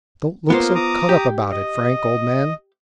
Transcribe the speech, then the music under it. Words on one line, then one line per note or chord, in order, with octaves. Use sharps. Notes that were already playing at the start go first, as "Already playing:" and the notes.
Don't look so cut up about it, Frank, old man.
A#3 B3 F4 A#4 C5 C6
A#5 D6 D#6
G4
D#5